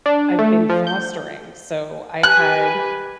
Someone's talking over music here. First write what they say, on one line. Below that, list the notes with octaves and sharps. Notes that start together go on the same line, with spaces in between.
I've been fostering. So I had
D4
A3
F3
G6
G4 B4 G#5 F#6